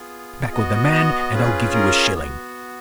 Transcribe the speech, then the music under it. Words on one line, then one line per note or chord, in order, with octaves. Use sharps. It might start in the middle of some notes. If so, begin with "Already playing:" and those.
Come back with the man, and I'll give you a shilling.
Already playing: B3 F4 G#4
B3 F#4 D#5
D#5
C#4 F4 G#4 B4
A#4
B3 F#4